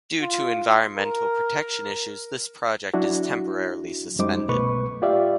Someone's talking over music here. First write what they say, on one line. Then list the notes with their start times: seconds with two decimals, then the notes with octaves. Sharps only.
Due to environmental protection issues, this project is temporarily suspended.
0.20 F4
0.96 A#4
2.94 F#3 D4 E4 F#4
4.19 F#2 G3 G#3 D#4 C5 D6
4.49 C2 B2 A3 B4 C#6
5.02 F4 G4 D5 E5 F5